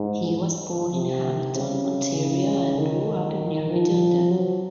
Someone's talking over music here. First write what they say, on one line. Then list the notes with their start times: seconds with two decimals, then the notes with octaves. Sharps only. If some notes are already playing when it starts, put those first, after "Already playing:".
He was born in Hamilton, Ontario and grew up in nearby Dundas.
Already playing: G#2
0.95 C3
1.56 C#3
2.17 C#3
2.78 D#3
3.71 F3
4.31 F#3